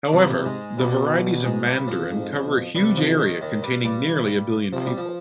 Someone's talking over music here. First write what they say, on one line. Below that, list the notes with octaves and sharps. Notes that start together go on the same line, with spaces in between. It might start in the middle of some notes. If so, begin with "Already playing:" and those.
However, the varieties of Mandarin cover a huge area containing nearly a billion people.
G2 C3 G3
G#2 G#3
G2 B2 G3
G#2 G#3
G2 G3
F2 F3
G#2
B2
G2 C3 G3
F2 F3
D#2 D#3
D#2 D#3
G2 G3
G2 G3
C3 F3
G3
F3